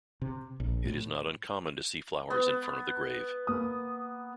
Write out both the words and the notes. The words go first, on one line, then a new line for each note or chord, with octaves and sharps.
It is not uncommon to see flowers in front of the grave.
C3
A#1
A2
B3
A#3 D#6